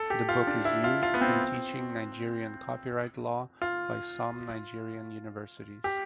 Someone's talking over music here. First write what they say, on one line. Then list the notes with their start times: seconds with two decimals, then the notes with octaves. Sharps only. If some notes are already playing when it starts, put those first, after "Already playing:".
The book is used in teaching Nigerian copyright law by some Nigerian universities.
Already playing: A4
0.10 G4
0.29 F4
0.47 D4
0.65 E4
0.84 F4
1.03 F4
1.14 B3
1.21 C4
3.62 F4
5.84 G4